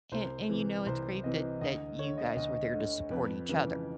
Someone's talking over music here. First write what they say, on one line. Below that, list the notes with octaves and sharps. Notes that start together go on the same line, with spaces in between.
An and you know, it's great that that you guys were there to support each other
C2 C5
C3 E3
C2 C5
C3 E3 D#5
D2 D#5
D3 C#5
D#5
D2 D#5
D3
F2 B4
C#3 E3 B4